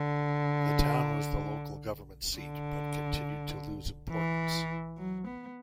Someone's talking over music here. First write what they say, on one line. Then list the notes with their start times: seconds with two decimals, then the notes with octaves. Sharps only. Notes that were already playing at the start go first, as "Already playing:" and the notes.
The town was the local government seat but continued to lose importance.
Already playing: D3
2.37 D3
4.10 E3
4.98 F#3
5.27 B3